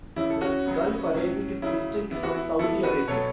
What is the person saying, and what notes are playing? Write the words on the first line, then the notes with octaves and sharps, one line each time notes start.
Gulf Arabic is distinct from Saudi Arabic.
C#3 E3 C#4 E4
A4
C#4 F#4
C#3 F#3 B3
A2 F#3 C#4
C#3 F#3 C#4 E4
E3 B3 E4
F#4
E4
E3 B3 E4 A4
F#4 B4
B2 F#3 B3 A4 C#5